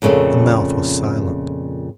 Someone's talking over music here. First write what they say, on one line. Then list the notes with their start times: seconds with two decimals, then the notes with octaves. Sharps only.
The mouth was silent.
0.02 F2 A#2 C#3 A3 A4